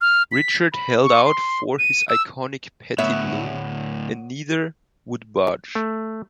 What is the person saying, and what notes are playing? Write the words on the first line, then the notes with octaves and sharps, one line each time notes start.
Richard held out for his iconic Petty blue, and neither would budge.
F6
B6
B5
C#6
C6
D#7
E6
D2 A2 B3 C#5 E5
A3